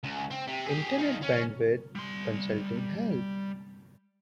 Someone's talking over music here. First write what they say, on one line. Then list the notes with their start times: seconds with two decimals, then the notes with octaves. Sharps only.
Internet bandwidth, consulting help.
0.04 C#2
0.31 C4
0.47 C3
0.66 G4 G#4
0.98 D#4 F4
1.22 C#4
1.95 G3 C6